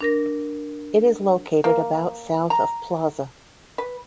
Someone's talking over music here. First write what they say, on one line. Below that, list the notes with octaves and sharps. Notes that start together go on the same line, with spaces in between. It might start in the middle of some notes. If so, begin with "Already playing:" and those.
It is located about south of Plaza.
D4 A#4 A#6
A#3
A#5
B4